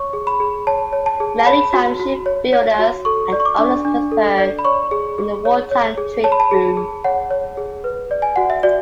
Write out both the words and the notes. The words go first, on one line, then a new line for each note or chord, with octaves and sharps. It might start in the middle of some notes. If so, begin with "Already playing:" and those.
Maritime ship builders and owners prospered in the wartime trade boom.
Already playing: C#5 C#6
G#4
B5
G#4
C#5 A5
C#5
A5
G#4
A5
C#5 B5
F#4
F#4
C#5
C#5
F#4
A4 C#6
D5
C#6
D6
D4
D4
A4
D5
B5
C#5 C#6
G#4
G#4
C#5
C#5
G#4
C#5 A5
B5
A5
G#4
G#4
C#5 F#5
C#5
G#4
B4
D5
G#5
F#4 F#5
E5
F#4 D5